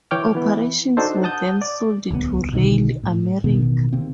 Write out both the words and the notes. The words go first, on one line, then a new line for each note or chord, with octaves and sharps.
Operations were then sold to RailAmerica.
E3 C#5 G5 D6 F6
E3 B3
D4 D#4 F#4 A4 C5
F#5 A5 D#6 G6
D5
D1 C2 C#3 B3
B1 B2 D3 D#3
A2
A1 B2 D#3 B3
C3 D#3 A#3 C4